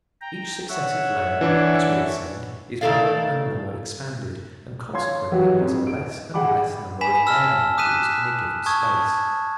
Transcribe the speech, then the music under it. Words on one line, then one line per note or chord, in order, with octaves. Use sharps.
Each successive layer, as we ascend, is more and more expanded, and consequently has a less and less number of air molecules in a given space.
G5 A#5
C#5 E5 F#5
E3 D4 E4
A2 D#3 E4 A4 D5 F5
C#5 F5 C6 G#6
E3 F#3 F#4 G4 C#5
F2
D7
G#4 F#5 G5 B5 D6
G#5 B5 B6 E7
A5 E6 F6 E7
D6 D#6 F#6 B6 D#7 E7
A5 C#6 D#6 G#6